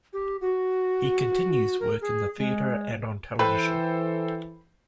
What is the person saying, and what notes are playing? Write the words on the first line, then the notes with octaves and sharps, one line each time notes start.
He continues work in the theatre and on television.
G4
F#4
A#4
G#4
G#3
E3 A4 B4 C5 G5